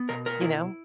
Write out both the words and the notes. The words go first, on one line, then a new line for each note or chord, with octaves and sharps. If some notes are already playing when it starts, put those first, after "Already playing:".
You know?
Already playing: B3
B2 A#4
A#4
E4